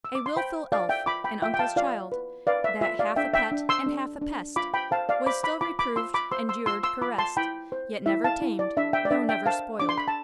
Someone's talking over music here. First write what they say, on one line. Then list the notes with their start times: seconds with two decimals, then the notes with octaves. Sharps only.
"A willful elf--an uncle's child, That half a pet and half a pest, Was still reproved, endured, caressed, Yet never tamed, though never spoiled."
0.05 E6
0.15 D6
0.26 C6
0.36 C5 G5 B5
0.72 F4 D5 F5
0.89 E5 G5
1.06 F4 B5 D6
1.24 G5 B5
1.42 F4 E5 G5
1.54 G5
1.59 F5 A5
1.76 F4 D5 F5
2.12 B4
2.47 B4 D5 F5
2.64 E5
2.81 F4 E5
2.99 D5 F5
3.16 D4 E5 G5
3.34 E5 G5
3.52 D4
3.69 C6 E6
3.86 D4
4.22 D4
4.56 F4 B5 D6
4.74 G5 B5
4.91 C5 F5 A5
5.09 D5 F5
5.26 C5 B5 D6
5.43 B5 D6
5.61 F4 B5 D6
5.79 B5 D6
5.96 F4 C6 E6
6.14 B5 D6
6.32 C5 C6 E6
6.49 C6 E6
6.66 F4 C6 E6
6.83 C6 E6
7.01 F4 B5 D6
7.18 A5 C6
7.37 E4 G5 B5
7.72 C5
8.06 E4 E5
8.24 F5 A5
8.42 E4
8.59 D5
8.77 D4 E5
8.93 E5 G5
9.05 D5
9.11 D4 E5
9.29 E5 G5
9.46 C5 F5 A5
9.80 D4 D6
9.89 C6
9.98 B5
10.08 A5